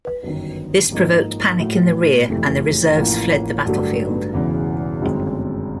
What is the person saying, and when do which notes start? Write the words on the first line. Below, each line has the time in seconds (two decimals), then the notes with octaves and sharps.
This provoked panic in the rear and the reserves fled the battlefield.
0.23 G1 F#2 D#3
0.92 G#2 F3 A#3 D#4
1.60 A2 F#3 A3
2.28 F#1 F2 C3 E3 A3
2.96 A1 A2 F3 A#3
3.65 G2 D3 F#3 A3
4.33 E1 E2 C#3 E3
5.02 G1 F#2 D#3 G#3 C4